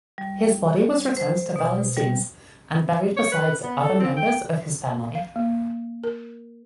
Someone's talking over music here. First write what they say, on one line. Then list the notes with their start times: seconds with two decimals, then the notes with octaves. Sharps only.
His body was returned to Valenciennes and buried beside other members of his family.
0.18 G3
1.17 C5
1.56 B2
1.97 G3
3.16 C#5
3.32 B4
3.63 B3
3.82 A4
4.00 C4
4.16 G5
5.15 F5
5.36 A#3
6.04 A#4